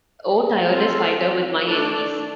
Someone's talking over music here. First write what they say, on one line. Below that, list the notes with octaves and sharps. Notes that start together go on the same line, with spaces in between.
O tireless fighter with my enemies!
C4 F4 A4
A3 D4 A4 D5